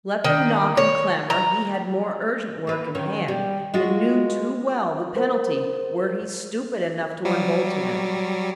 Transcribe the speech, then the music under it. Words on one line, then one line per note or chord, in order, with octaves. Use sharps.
Let them knock and clamour; he had more urgent work in hand, and knew too well the penalty were he stupid enough to unbolt to them.
D#3
C#5
A#5
A#3 B4
D#3 C#4
G3
G#3 F4 F#4
A#4 C5
F#3 G3